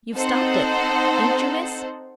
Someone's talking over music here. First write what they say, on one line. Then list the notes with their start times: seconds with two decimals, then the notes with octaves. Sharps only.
"You've stopped it--ain't you, miss?"
0.15 C4 D#4 A4 C5 F#5